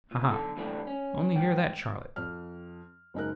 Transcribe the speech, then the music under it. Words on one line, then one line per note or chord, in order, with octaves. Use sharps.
'Ha! ha! only hear that, Charlotte!'
A#2
B1 D3 A4
G#2 C3 E3 G3 A3 D4
C#4
G#2 E3 G5
F2 F6
F#1 G#3 D#4 A#4 F#6